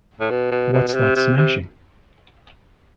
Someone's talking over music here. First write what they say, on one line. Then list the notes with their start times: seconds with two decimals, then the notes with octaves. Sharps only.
What's that smashing?
0.20 A2
0.30 B2
0.51 B2
0.73 B2
0.88 B2
0.94 C3
1.16 C3
1.37 C3